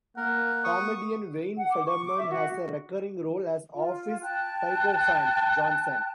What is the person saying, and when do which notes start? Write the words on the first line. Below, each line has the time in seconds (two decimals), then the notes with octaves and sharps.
Comedian Wayne Federman has a recurring role as office sycophant, Johnson.
0.17 A#3 A#4 F#5
0.64 C#6 D#6
1.58 F#5
1.70 D6
1.85 C#6
2.03 D6
2.17 E5
2.30 F#4
3.75 F4
4.23 G5 A5 F#6